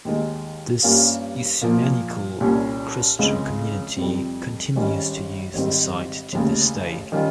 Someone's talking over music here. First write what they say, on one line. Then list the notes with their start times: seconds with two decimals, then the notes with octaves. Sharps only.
This ecumenical Christian community continues to use the site to this day.
0.05 D#2 D#3 G#3
0.83 G2 G3 A#3 C#4 F4
1.61 A#2 F3 A#3 F4
2.40 C2 A#2 G3 C#4
3.19 C#2 C#3 G#3 C4
3.97 F2 C3 G3 C4
4.76 G#1 G#2 D#3 G3 C#4
5.54 G#1 G#2 D#3 G3 C4
6.32 F1 D#2 C#3
7.12 D#3 G3 C#4 F4